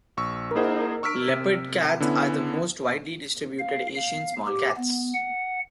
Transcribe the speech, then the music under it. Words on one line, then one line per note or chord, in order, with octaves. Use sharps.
Leopard cats are the most widely distributed Asian small cats.
A#1 C#6 E6
A#3 E4 G#4 C5 D#5 F#5
C#6 E6 F6 B6 D7
C3
D3 B3 C#4 E4
F5
F5
G4
B3
F#5